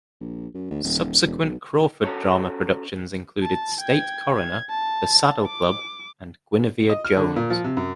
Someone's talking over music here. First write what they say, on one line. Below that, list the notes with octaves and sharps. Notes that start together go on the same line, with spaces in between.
Subsequent Crawford drama productions included "State Coroner", "The Saddle Club", and "Guinevere Jones".
A#1
F#2
D2
D#1
E1
B1
C#4 F#4 A4 C#5
A5
G5 G#6
G#6
A5
D6
D#5
F6
D3
A#2
F3
C3
F#2